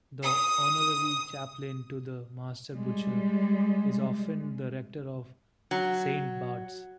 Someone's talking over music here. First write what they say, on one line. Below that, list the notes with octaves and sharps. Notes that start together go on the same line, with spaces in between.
The Honorary Chaplain to the Master Butcher is often the Rector of Saint Barts.
D#6
G3 G#3
F#3